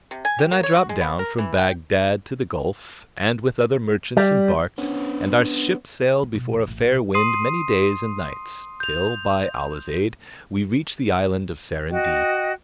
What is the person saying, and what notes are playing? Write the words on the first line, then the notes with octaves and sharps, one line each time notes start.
Then I dropped down from Baghdad to the Gulf, and with other merchants embarked, and our ship sailed before a fair wind many days and nights till, by Allah's aid, we reached the island of Sarandib.
C3
G#5
G4
A#3
C#5
F#4
G#3
B3
A#4
E3
G5
G3
B3 C#4 D4
B3
B2
E2
A1
B1
C6 D#6 C7 D#7
G6 F7
F#4 D#5 G5